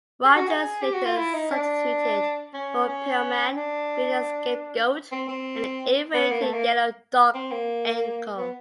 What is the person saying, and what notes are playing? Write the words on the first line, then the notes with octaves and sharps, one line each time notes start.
Rogers later substituted for Pillman, being the scapegoat in the ill-fated Yellow Dog angle.
G#4
F#4
G#4
G4
F#4
F4
E4
D#4
D4
C#4
C#4
D4
C4
C4
B3
A#3
A3
A#3
C4
A#3
B3